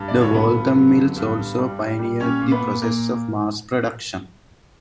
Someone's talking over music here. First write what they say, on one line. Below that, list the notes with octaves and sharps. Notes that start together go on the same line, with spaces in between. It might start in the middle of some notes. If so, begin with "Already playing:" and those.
The Waltham mill also pioneered the process of mass production.
Already playing: G2
D5
D3
C#5
D3 B3 B4
G2
F#3
D3
G2
G2
G3
G3
G3
A#2 C#4 C#5
A#2
B3 B4
A#2
A#2 A#3 A#4